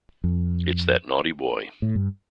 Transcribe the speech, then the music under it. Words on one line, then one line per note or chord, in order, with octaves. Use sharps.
It's that naughty boy.
F2
A2
G2